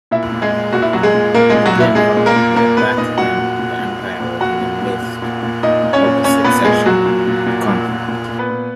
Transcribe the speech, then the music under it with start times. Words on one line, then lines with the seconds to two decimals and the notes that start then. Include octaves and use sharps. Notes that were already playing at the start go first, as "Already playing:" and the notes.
It didn't help that back then the empire was in the midst of a succession conflict.
0.11 A#2 E4 E5
0.32 A#2
0.42 G#3 G#4
0.53 A#2
0.73 A#2 F#4
0.82 E4
0.93 A#2 F#3 F#4
1.03 G#3 G#4
1.14 A#2
1.34 A#2 A#3 A#4
1.49 A#2 G#3 G#4
1.66 F#3 F#4
1.75 A#2 E4
1.95 A#2 G#3 G#4
2.17 A#2
2.26 A#3 A#4
2.36 A#2
2.56 A#2 A#3 A#4
2.77 A#2 B3 B4
2.97 A#2 D#4 D#5
3.18 A#2 F#4 F#5
3.38 A#2
3.59 A#2
3.79 A#2
3.99 A#2
4.20 A#2
4.41 A#2 F#4 F#5
4.61 A#2
4.82 A#2
5.02 A#2
5.22 A#2
5.43 A#2
5.63 A#2 D#4 D#5
5.83 A#2
5.93 C#4 C#5
6.04 A#2
6.24 A#2 C#4 C#5
6.44 A#2 B3 B4
6.65 A#2 G#3 G#4
6.86 A#2 F#3 F#4
7.06 A#2
7.27 A#2
7.46 A#2
7.68 A#2
7.88 A#2
8.08 A#2
8.29 A#2
8.39 B3 B4
8.50 A#2